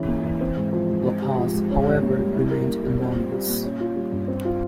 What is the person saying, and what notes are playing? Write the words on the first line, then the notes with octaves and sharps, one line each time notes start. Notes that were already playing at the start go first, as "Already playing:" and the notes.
LaPaz, however, remained anonymous.
Already playing: E3 G#3 C#4
A#3
E3
C4
G#2
F3
G#2
C4
G4
F3
G#2
C#4
G4
A#3
G3
E4
A#4
A#3
G3
C4
F4
G3
A#2
C#4
F4
G3
G2
C4
F4